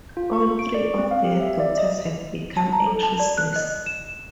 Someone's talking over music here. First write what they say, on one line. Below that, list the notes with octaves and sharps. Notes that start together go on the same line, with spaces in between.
All three of their daughters have become actresses.
F4
C#6
D7
D5
C4
F5
G4
E5
D5
D#5
A5
A#5
A4
A5
D5
F#6
D#5
E7